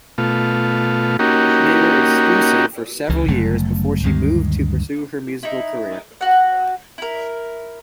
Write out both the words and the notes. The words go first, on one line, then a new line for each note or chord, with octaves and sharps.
They were exclusive for several years before she moved to pursue her musical career.
B2 A3 F4
A#3 C#4 D#4 F#4 G4
C#2 C#3 E3
G1 F#2 C#3 A3
D2 G2 D#3 G#3
D#4 E4
F#4 F#5
E4 A#4